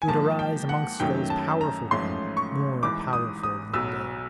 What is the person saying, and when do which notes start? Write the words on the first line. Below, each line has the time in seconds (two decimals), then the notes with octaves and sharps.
He would arise amongst those powerful men, more powerful than they.
0.02 G#5
0.08 G#2 F3 A#3 A5
0.39 G5
0.69 F#5
1.00 F#2 D#3 F#3 A3 C#4 G5
1.30 A5
1.61 A#5
1.91 A1 G#2 F3 A3 C#4 C6
2.37 C#6
2.83 G#1 G#2 E3 D6
3.13 D#6
3.43 D#6
3.73 B1 B2 F#3 E6